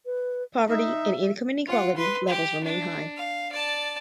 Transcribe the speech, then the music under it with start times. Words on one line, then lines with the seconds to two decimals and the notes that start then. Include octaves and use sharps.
Poverty and income inequality levels remain high.
0.06 B4
0.69 D#4 E5
1.67 F4 F#5
1.96 B4 C6
2.27 G4
2.64 D4
3.17 F5
3.52 D5 A5